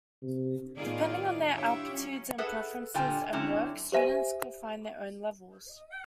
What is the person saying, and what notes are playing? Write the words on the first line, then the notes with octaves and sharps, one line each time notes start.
Depending on their aptitudes and preferences and work, students could find their own levels.
C3
A2 D#3 B3 F4 G#4 D5
D4 E4 F4 G4 C#5 E5
F#3 C#4
G#4 A4 B4 E5 F#5
A#2 D3 G3 F4 G5 G#5
D3 F#3 C4 C#4 E4
G4 C5 E5 G#5 D#7